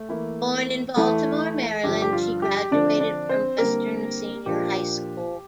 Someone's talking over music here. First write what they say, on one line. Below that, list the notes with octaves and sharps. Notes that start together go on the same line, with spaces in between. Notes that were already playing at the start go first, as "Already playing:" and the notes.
Born in Baltimore, Maryland, she graduated from Western Senior High School.
Already playing: A3
E3 A#3 E4
E2 E3 A3 E4 A4
G2 D3 F3 G4
G4
F4
G4
D3 F3 C4 D4 D5
D4 D5
C4 C5
D3 G3 A#3 C4 A#4
A#2 F3 A#3 D4 F4 G4